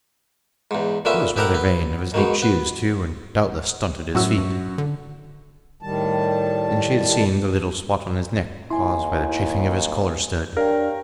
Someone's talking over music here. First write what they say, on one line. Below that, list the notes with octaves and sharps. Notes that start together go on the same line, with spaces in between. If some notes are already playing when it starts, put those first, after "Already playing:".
He was rather vain of his neat shoes, too, and doubtless stunted his feet; and she had seen the little spot on his neck caused by the chafing of his collar-stud....
E2 G#2
A#2 D3 B3 C#4 E5
B3 G4 A4 A#4 F#5
B3
G#2 B2 D#3
B3
F#2 A2 F#4 E6
G2
D3
A2 D#3 G3 A5
D#2 E4 G#5 C6
D4 G4 A#4 C#5 F5 G5